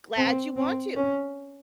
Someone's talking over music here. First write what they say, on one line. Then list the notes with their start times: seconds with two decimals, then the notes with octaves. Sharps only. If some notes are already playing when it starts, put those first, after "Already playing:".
Glad you want to,
0.17 C4
0.56 C4
0.96 C#4